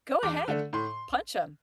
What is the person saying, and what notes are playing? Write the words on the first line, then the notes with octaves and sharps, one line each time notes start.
go ahead, punch him,
E2 D6
D3 A3
A2 C6